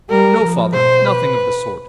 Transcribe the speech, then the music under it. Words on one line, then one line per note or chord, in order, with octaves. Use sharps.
'No, father, nothing of the sort.
G3 A#4
F3
B2 C5
B4